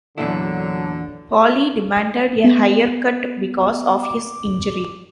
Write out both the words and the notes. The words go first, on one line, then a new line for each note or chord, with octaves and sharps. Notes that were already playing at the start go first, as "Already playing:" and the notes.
Paulie demanded a higher cut because of his injury.
E2 A#2 D3 F#3 E4
B3
D6